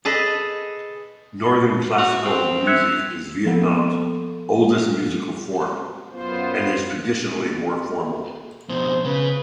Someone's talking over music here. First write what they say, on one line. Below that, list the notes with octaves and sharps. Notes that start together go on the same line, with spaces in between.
Northern classical music is Vietnam's oldest musical form, and is traditionally more formal.
G#4 A4 B4 D#5
F#4 F7
C4
E5 F#6 G#6 C#7
F3 A#3 B3 A4
F#2 B3 F4 C5
F2 B2 C5
C#3 B4